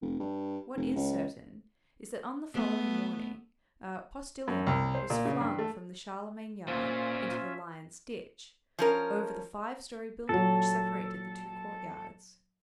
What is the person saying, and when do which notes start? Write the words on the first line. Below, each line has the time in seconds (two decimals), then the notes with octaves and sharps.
What is certain is, that on the following morning, a "postilion" was flung from the Charlemagne yard into the Lions' Ditch, over the five-story building which separated the two court-yards.
0.02 F1
0.20 G2
0.76 F1
0.96 C#2
2.54 A3 B3
4.48 F#2
4.67 C2
4.95 C5
5.10 A#2
5.25 C#3
5.41 G2
5.59 A3
6.67 A#2 C#4 F4 C5 E5
8.79 F3 C#4 A#4
10.29 A#2 F#3 A4